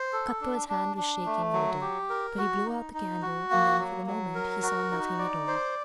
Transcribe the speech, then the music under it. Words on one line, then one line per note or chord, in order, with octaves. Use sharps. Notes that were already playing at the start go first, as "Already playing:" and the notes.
Cuthbert's hand was shaking a little, but he blew out the candle, and then, for a moment, he saw nothing at all.
Already playing: C5
A4
D4
D4
D4
A3
F#3
G4
A#4
F#4
D#4
D#4
F#4
A#3
F#3
F#3
A#4
F#4
D#4
D5
C5